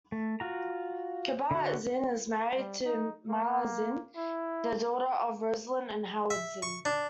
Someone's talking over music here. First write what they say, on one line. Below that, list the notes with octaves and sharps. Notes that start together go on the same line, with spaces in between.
Kabat-Zinn is married to Myla Zinn, the daughter of Roslyn and Howard Zinn.
A3
F4 F#4 A#5
D3 F#4
G3
D#4
A#3
E4
E5
C#6
D4